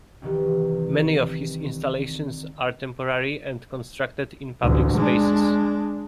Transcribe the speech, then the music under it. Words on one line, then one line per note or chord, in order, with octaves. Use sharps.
Many of his installations are temporary and constructed in public spaces.
C2 D#3 E3
A1 D2
G#3 D4